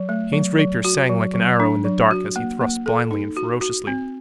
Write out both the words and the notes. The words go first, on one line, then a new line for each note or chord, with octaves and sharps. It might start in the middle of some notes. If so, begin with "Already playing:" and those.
Kane's rapier sang like an arrow in the dark as he thrust blindly and ferociously.
Already playing: F#3
A3
F#3
F#3
F#4
F#3
F#3
D4
F#3
F#4
A#3
A#3
A4
D#4
F#4
F#4
C4